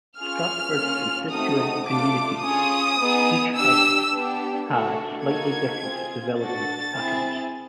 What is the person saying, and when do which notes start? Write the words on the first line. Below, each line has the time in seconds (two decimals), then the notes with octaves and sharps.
Stratford's constituent communities each have had slightly different development patterns.
0.18 C#4 F4 G#4 F6
0.74 A#3 C#4 F4 G#4
1.31 A3 C4 D#4 F#4 A4 D#6
1.87 A3 D4 F4 A4 D6
2.43 C#4 F4 G#4 D#6
3.00 B3 D#4 G#4
3.55 D4 G4 E6
4.11 B3 D4 G4
4.68 A3 D4 F#4 A4
5.24 A#3 D#4 F#4 A4 G#6
5.81 C4 F4 G#4
6.37 D4 F#4 A4 A6
6.94 C4 E4 G#4